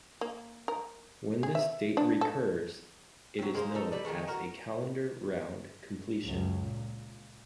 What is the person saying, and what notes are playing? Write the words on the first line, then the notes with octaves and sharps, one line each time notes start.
When this date recurs it is known as a Calendar Round completion.
A#3
A#4
G#4
E5
D4
A4
F#3 C4
G#3 A#3 C5
A3 D#4 A4
G3 B4 D5
D#3 F3 G#3 A3
F#4 A#4
C#2 F#2
A#2